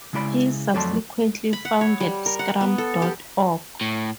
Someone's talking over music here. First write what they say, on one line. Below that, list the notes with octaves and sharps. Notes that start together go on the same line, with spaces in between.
He subsequently founded Scrum dot org.
C#3 G#3 E4 D5 B5
F2 F#3 A3 D5 A5 C6
B5
F#5
C#5
G3
A#4
F#5
B3
A4
G4
A2